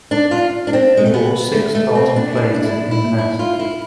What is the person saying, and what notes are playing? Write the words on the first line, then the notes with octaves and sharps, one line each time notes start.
He bought six tartan plaids in Inverness.
D4
F4
D4
C4
G#3
A3
B3
A3
A3
C4
D4
E4
D4
D4
E4
E4
E4
F4
E4